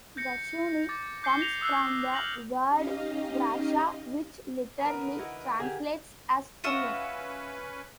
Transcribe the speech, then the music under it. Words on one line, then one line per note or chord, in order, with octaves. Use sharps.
"Garshuni" comes from the word "grasha" which literally translates as "pulling".
G6 A#6 C#7
D6 A6
D6 G6 C7 C#7 G7
G6 A#6 F7
D#6 E6 F#6 G6 C7
F6 G6 A#6 F#7
C#4 D#4 G4 D#5 F5
D3 A#4 B4 A#5 D#6
D#4 E4 F#4
D3 G4 G#4
C#4 F4 F#4 B4 E5